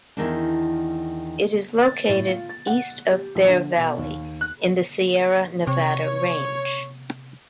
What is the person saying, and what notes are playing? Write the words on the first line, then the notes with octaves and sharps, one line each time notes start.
It is located east of Bear Valley in the Sierra Nevada range.
E2 D#3 D4
A6
A2
F4
A6
F#5
G4
A#1
D3
B2
D#2
F#6
C3 C#5